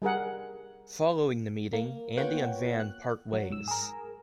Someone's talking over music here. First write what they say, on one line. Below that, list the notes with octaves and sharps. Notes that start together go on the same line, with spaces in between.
Following the meeting, Andy and Vann part ways.
G3 G#4 A#4 F#5
A#3
A#3 B3 F4 C#5 F#5 G5
F#6
F#3
G#2 E6
G#4 A#4